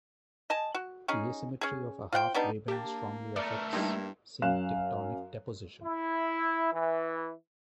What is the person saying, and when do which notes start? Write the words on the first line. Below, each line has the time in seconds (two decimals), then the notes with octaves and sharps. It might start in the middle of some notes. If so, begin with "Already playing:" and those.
The asymmetry of a half-graben strongly affects syntectonic deposition.
0.50 D#5 G#5 A5
0.74 F#4
1.08 C#4 D#4 G#4
1.61 C#4 G#4
2.13 F4 C5 F#5 G5
2.34 G3 B3 D4 D#4
2.68 A#3 D4 G4 A5
3.36 A3 A#4 B4 D5
3.73 G2 G3 A#3 D#4 E4
4.42 F#2 F5 F#6 E7
5.84 E4
6.73 E3